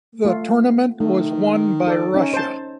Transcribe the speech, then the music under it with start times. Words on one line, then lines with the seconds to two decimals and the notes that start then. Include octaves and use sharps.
The tournament was won by Russia.
0.25 A3 F4
1.00 D#3 A3
1.87 A4 D5
2.14 C#4 D#4
2.34 C5 A5